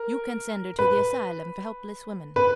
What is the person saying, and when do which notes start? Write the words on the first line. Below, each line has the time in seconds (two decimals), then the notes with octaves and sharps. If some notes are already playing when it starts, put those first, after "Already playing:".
You can send her to the asylum for helpless women.
Already playing: A#4
0.79 B4
2.36 B4